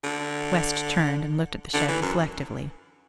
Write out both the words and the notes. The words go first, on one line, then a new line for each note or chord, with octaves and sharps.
West turned and looked at the shed reflectively.
D3
D3
E3
F#2